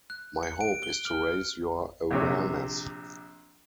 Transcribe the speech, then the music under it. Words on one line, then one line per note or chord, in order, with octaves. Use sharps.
My hope is to raise your awareness.
F#6
C#7
D7
G7
F6
A#1 C3 C#5